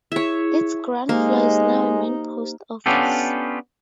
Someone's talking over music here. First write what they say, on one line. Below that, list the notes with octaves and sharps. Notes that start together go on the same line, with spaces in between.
Its ground floor is now a main Post Office.
E4 G#4 C#5 E5
G#3 A#3 D#4 G4 C5
B3 C#4 D4 F4 G4 A4